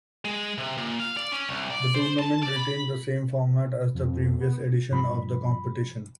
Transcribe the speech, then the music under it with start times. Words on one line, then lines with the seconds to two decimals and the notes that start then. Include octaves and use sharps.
The tournament retained the same format as the previous edition of the competition.
0.25 G#3
0.58 C3
0.77 A#2
1.00 F5
1.17 D5
1.32 C#4
1.49 C2
1.70 D5
1.95 C5
2.19 A5
2.43 D5
2.56 B5
3.95 F2
4.19 F2
4.41 B3
4.91 G2 F3 B5